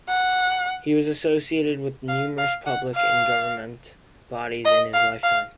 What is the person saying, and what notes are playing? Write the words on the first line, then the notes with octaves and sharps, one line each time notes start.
He was associated with numerous public and Government bodies in his lifetime.
F#5
F5
F5
F#5
F5
D#5
F5
F5